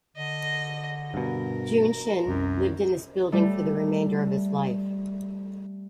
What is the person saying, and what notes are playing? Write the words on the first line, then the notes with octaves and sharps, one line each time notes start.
Junshin lived in this building for the remainder of his life.
D3 D#5
G2 B2 A#4
C2 F#2
G3 A3